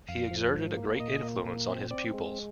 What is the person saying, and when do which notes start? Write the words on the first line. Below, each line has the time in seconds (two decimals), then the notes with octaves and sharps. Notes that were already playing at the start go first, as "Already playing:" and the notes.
He exerted a great influence on his pupils.
0.08 F2 F5
0.31 F3
0.54 G#2
0.77 A#3
1.00 A#2 D#5
1.23 A#3
1.45 A#2
1.69 C4
1.91 C4 D5
2.14 G#3